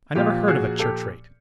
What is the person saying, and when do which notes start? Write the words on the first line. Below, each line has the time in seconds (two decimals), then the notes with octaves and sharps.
"I never heard of a church-rate."
0.15 A#2 F3 F4 G4
0.48 F#4 G#4
0.79 G4 A4